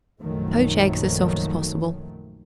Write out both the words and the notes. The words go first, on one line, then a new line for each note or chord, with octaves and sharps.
Poach eggs as soft as possible.
A#1 F#2 D#3 F3 F#3 A3